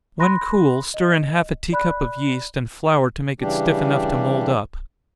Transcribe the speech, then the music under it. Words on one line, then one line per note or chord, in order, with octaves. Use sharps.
When cool, stir in half a tea-cup of yeast, and flour to make it stiff enough to mould up.
B5 C6 F#6 A#6
D#5
D5 B5 F#6
C#3 E3 G3 D4 G4